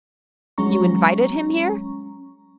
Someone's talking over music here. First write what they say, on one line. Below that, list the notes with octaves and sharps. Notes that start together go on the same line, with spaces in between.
You invited him here?
F#3 G#3 C#4 A#5 C#6